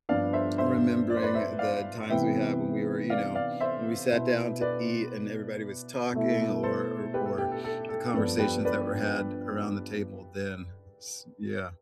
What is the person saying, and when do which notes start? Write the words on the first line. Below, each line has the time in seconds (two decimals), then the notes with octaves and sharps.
remembering the times we have when we were you know, when we sat down to eat and everybody was talking, or or or the conversations that were had around the table then, s Yeah.
0.09 G2 F3 B3 D4 D5 F5
0.33 C5 E5
0.58 C5 E5
1.10 D5
1.17 C5
1.23 B4 D5
1.34 C5 E5
1.59 D5 F5
2.09 C3 E3 B3 E5 G5
3.10 D5 F5
3.35 D5 F5
3.60 C5 E5
4.12 B2 B3 E4
4.61 B4 D5
6.13 B2 A3 E4
6.63 A4 C5
7.14 G4 B4
7.26 A4
7.38 G4
7.51 A4
7.64 A4
7.89 A4
8.14 G2 F3 B3 D4 A4
8.39 G4 B4
8.65 B4 D5